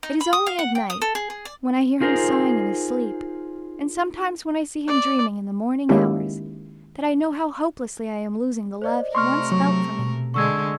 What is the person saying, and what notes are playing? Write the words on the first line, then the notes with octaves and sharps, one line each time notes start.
It is only at night, when I hear him sighing in his sleep, and sometimes when I see him dreaming in the morning hours, that I know how hopelessly I am losing the love he once felt for me.
D#4
B5
D#6
F5
F#5
G5
D#6
A4
G#4
G#4
D5
D#4 F4 G#4 A#4 C5
D5
D#3 G#3 A#3 C#4 E4 G4
C5 D5 D#5
C3 A3 A#4 C6 C#6 F6
F#3 C#6
B2
D3 G#3 C#6 E6 G#6